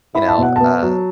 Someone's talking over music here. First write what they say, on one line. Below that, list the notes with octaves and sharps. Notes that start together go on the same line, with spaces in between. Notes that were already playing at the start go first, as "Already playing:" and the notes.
you know, uh,
E4 B5
A5
B2 F#5
B3 A5
F#3